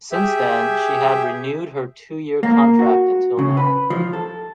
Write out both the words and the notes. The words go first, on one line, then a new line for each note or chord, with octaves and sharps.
Since then, she had renewed her two-year contract until now.
G4 G#4 E5
A#3
F#4
C#3
B4
F3
A4